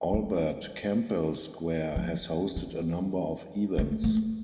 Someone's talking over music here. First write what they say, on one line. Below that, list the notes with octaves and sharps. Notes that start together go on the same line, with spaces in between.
Albert Campbell Square has hosted a number of events.
G3
F3
E3
A3
A3